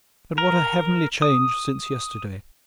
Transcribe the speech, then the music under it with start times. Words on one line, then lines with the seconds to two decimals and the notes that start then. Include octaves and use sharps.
But what a heavenly change since yesterday!
0.38 A#4
1.22 D#6